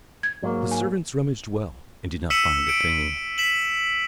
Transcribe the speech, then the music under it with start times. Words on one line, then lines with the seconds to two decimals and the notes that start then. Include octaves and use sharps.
The servants rummaged well, and did not find a thing.
0.23 G#6
0.43 G#2 F#3 A#3
0.71 G#5
2.30 E6 B6 C#7 D#7 E7 F#7
2.67 C#7 D7
3.38 B6 E7 F#7